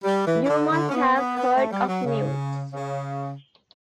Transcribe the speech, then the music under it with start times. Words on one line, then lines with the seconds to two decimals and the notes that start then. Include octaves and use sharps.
You must have heard of newts.
0.04 G3
0.26 E3
0.44 E3
0.48 D3
0.70 D3
0.89 C#4
0.93 B3
1.16 B3
1.37 B3
1.55 A3
1.72 G3
1.87 F#3
2.04 C#3
2.72 C#3